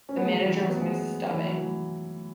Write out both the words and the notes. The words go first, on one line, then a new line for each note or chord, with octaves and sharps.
The manager was Moose Stubing.
C#4
B3
G#3
F#3
E3
F#3
B3
G#3
E3
F#3
E3